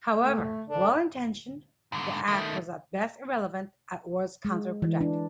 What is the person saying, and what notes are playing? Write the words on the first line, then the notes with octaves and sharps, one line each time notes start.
However well-intentioned, the Act was at best irrelevant, at worst counter-productive.
A3
G#2 D3 D4 A4
G#2 D3
D#3 A3
G#3
E3
D4